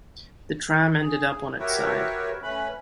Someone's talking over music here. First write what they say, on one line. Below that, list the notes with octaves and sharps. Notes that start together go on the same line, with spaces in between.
The tram ended up on its side.
G#4
F#4 G4 A#4 B4 C#5 E5
A3 C#4 B4 B5